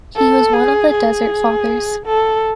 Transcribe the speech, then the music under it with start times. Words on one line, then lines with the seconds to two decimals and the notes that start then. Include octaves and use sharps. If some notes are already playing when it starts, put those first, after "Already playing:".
He was one of the Desert Fathers.
0.16 A4
0.53 G#4
0.92 G#4
2.06 A4